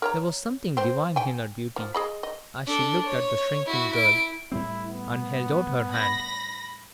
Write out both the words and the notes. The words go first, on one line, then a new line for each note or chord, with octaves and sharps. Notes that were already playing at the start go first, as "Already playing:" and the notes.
There was something divine in her beauty as she looked at the shrinking girl, and held out her hand.
A#4 C#5 A#5
C4 C5
G5 G#5
F3
G#4 D#5 B5
D#5
D4 A4
C#5
E4 F#4
E4 D7
A2 G3 C4 E4
B3
B5 A#6